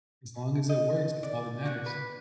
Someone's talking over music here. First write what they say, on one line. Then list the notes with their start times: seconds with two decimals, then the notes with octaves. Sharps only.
As long as it works, that's all that matters.
0.69 D#5
1.23 D5
1.66 F#4
1.86 B4